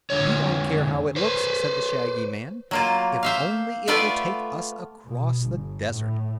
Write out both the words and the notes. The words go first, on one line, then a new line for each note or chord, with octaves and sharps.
"We don't care how it looks," said the shaggy man, "if only it will take us across the desert."
F2 D3 C#5
B4 C5
F#3 A#3 F4
C5 E5 F5
A3 B3 F4 B4 D5 E5
B2
G1
A2